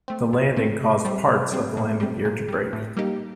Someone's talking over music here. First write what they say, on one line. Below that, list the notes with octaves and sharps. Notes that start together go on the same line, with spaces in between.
The landing caused parts of the landing gear to break.
A3 C4
A#2
A3 C4
C3
G3 C4
C3
G3 C4
A#2
G3 C4
A#2
G3 C4
A2
G3 A#3 D#4 G4